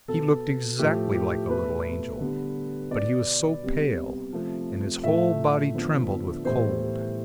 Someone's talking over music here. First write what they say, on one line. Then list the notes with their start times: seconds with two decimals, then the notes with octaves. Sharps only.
He looked exactly like a little angel, but he was so pale, and his whole body trembled with cold.
0.08 B2 B3 A4
0.79 A2 F3 A3 G4
1.15 G4
1.50 B2 A3 B4
2.20 D3 G3 B3
2.91 B2 B3 D5
3.63 C3 G3 B3
4.33 C3 F3 A3
5.04 A2 F3 A3 E5
5.74 D3 F3 B3
6.44 A2 E3 G3 B3 C5